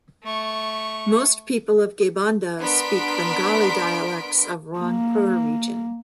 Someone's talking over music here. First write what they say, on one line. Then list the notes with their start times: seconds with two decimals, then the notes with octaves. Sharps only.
Most people of Gaibandha speak Bengali Dialects of Rangpur Region.
0.23 A3 C#6
2.59 B3 D4 A#4 C6 B6 D7
4.79 A#3